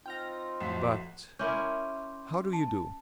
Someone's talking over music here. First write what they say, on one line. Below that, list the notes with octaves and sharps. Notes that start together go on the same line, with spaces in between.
But how do you do?
C4 D#4 F4 G5 F6 A#6
B1 F2 A2 F3 F#4 B6
C#4 E4 A#4 C6 D6 G6
A5